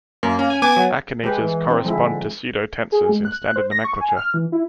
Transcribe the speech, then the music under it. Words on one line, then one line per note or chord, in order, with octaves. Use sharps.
Akinetors correspond to pseudotensors in standard nomenclature.
F#2 A#3
C#4
G#5
B3 G#5 D6
F#3
G#3 G4 B4
E3
C4 D#4
D3 F3 G#3 E4
G#4
G#3
F#6
C5
A#6
C#6
G#5
F6
E3
E4